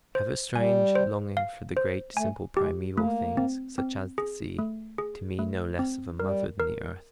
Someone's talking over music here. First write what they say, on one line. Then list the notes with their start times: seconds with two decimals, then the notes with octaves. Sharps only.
I have a strange longing for the great simple primeval things, such as the sea, to me no less of a mother than the Earth.
0.15 C5
0.55 G3 G#5
0.95 C5
1.37 F5
1.77 C5
2.16 A3 G#5
2.57 G#3 G4
2.97 A3 A#3
3.37 C4
3.78 C4
4.18 G#4
4.59 A3
4.98 G#4
5.39 A3
5.79 C4
6.20 G3 A#4
6.60 A#4